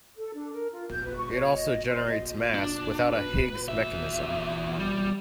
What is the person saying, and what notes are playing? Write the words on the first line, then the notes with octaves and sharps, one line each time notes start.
It also generates mass without a Higgs mechanism.
A4
D4
A#4
F4
G6
B4
C#6
C#5
D#5
C5
D#5
D4
B4
E2 E5
G3